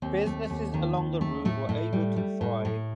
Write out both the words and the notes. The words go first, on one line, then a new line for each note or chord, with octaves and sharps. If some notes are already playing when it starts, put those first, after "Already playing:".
Businesses along the route were able to thrive.
D#2 C4
A3
D#2
D#3
D#2
A3
A2 A3
A2
G3
G3
A2
A2